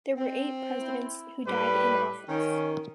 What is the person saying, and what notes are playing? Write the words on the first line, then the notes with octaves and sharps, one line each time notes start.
There were eight presidents who died in office.
C4
E4
A2 G3 B4
D#3 C#4